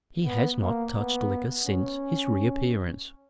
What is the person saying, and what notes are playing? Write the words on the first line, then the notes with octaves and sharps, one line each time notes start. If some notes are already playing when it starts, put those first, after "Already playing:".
He has not touched liquor since his reappearance.
B3
A#3
B3
C#4